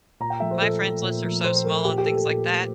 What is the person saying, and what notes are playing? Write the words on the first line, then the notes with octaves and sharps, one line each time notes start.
My friends lists are so small on things like that,
A#2 A#5
G5
F3 A3 E5
C5
A#2 A4
F3 A3
A#2
F3 A3
A#2 C5
F3 A3 A#4
A#2 G4
G4
A3 A4
A4
A#2
A3